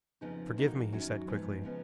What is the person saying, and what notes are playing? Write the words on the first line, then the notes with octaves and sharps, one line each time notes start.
"Forgive me," he said quickly.
F2 C#3 F3 B3 D#4
F2 D#3 A#3 D#4 F#4
F#2 D#3 F#3 C#4 F#4
G#2 F3 B3
C#3 F3 B3 D#4